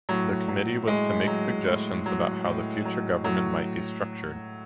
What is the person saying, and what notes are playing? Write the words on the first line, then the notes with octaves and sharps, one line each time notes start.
The committee was to make suggestions about how the future government might be structured.
A2 F#3
F#3
A2 G#3
F#3
A2
F#3
A2
F#3
A2 F#3